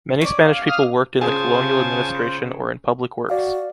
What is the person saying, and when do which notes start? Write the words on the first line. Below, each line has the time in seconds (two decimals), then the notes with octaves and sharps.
Many Spanish people worked in the colonial administration or in public works.
0.21 C#4 D5
0.45 F5
0.68 F5 D#6 F6
1.21 C#3 F4 G#4 C5 G#5 A5
3.30 F#4 D5 F5